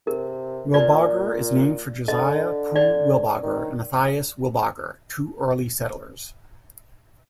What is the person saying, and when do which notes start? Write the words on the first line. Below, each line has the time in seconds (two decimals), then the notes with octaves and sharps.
Wilbarger is named for Josiah Pugh Wilbarger and Mathias Wilbarger, two early settlers.
0.07 C3 A#4
0.74 A#2 D5
2.08 D3 D#5
2.76 D5
3.43 D#3